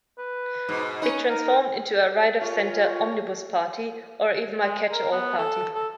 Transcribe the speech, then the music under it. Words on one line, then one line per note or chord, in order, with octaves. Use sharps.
It transformed into a right-of-centre "omnibus" party, or even a "catch-all party".
B4
G#2 B2
C#4 D#4 B4
A#4
F4 G#4 A#4 C#5
G#3
A#4
B3
A4
A4